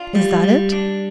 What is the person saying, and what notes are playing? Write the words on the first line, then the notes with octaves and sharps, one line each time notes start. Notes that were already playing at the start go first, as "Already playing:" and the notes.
Is that it?
Already playing: D4 F4
G3
G3
D4